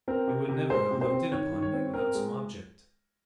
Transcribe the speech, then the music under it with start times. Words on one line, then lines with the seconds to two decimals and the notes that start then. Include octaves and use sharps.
You would never have looked in upon me without some object.
0.08 C4 A#4
0.28 C3
0.49 C3
0.69 G#3 C5
0.91 C3
1.01 C5
1.11 C4
1.32 D#3 C#5
1.53 D#3
1.62 C#5
1.74 C4
1.94 C4 A#4
2.15 G#3